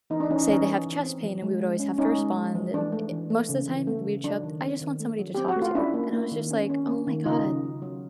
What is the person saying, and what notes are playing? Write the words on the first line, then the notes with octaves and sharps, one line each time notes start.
say they have chest pain, and we would always have to respond, and i i most the time, we would show up, "I just want somebody to talk to," and I was just like, "Oh my god."
E3 D#4
D4
E3 C#4 D#4
E3 C#4 D#4
E3
E3
C4
F3
G#3
G#3
C#4
C#4 D#4
G#3
G#3
F3
E3 D4
A3
E3
A3
C#3
E3
A3
C#3
F#3 D4
D#3
C4
D#3
A3
F#3
C4 G4
F#4
A3
F4
C#4 D4 E4
A#3
A#3
D#3
C#4
C#4
A#3
D#3
C#3 D#4 F4
C#3
F#3
F#3